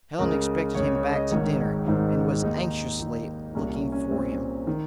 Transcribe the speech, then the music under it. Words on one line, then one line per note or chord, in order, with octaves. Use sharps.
Helen expected him back to dinner, and was anxiously looking for him.
C#2 C#3 A#4
C#2 C#3 C#5
C#5
D#5
G#1 G#2 D#3 C#5
G#1 G#2 D#3 C5
D#2 D#3 D#4
D#2 D#3
C2 A#2 C#4
C#4
C#4
C2 A#2 C4
D#3